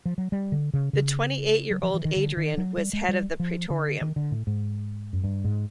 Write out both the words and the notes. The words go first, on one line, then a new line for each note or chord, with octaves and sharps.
The twenty-eight-year-old Adrian was head of the praetorium.
F3
F#3
G3
D3
C#3
C#3
F#3
F3
E3
D#3
D3
D#3
F#3
G3
G#3
G3
F3
D3
D#3
D3
A2
G#2
F#2
G2
G#2